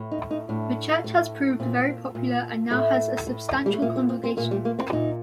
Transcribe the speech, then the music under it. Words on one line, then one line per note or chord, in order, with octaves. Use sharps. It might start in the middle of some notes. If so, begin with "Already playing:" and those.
The church has proved very popular and now has a substantial congregation.
Already playing: A2
D#4
D#4
A2 D4
A2
A#2 C4
A#2
A2 A3
A2
G3
A3
A#2 A#3
C4
C4
C4
A#2 A#3
G3
A#3
C4
A#2 D#4